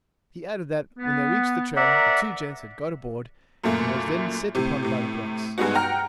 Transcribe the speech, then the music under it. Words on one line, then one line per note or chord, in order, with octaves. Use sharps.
He added that, when they reached the trem, the two gents had got aboard, and was then set upon by the blokes.
B3
A#4 C5 D5 E5 F#5 A#5
F#2 A#2 A3 A#3
A2 C3
A2 C3
G2 G#3 B3 D#4 F#4
F#5 G5 A#5 F6